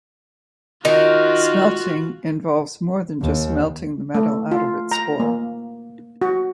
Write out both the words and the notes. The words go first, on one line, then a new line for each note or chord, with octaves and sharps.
Smelting involves more than just melting the metal out of its ore.
D#3 F4 F#4
D#2
A3
F4
A#5
A#3
F#4